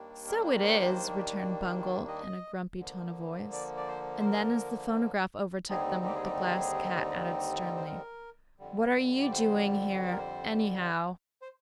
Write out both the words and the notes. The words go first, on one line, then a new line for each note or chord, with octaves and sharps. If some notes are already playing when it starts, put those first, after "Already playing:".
"So it is," returned Bungle, in a grumpy tone of voice; and then, as the phonograph overtook them, the Glass Cat added sternly: "What are you doing here, anyhow?"
Already playing: D#2 D#3 G3 A#3 D4
A#4
C5
D#5
D3 F3 A#3
D5
D5
C5
C5
A#4
D#2 D3 G3 C4 D#4 G#4
G4
G#4
G4
G#4
C5
A#4
F2 D3 G3
D5
C5
C5
A#4
C5
C5